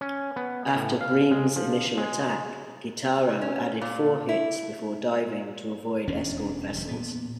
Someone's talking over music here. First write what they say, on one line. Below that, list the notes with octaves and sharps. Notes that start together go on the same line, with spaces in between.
After "Bream"'s initial attack, "Guitarro" added four hits before diving to avoid escort vessels.
C#4
B3
A2
F5
G#3
F3
G#3
C#4
A#2
E4
E1 E2 C#4 D4
E1 D2 G3
A#2 B3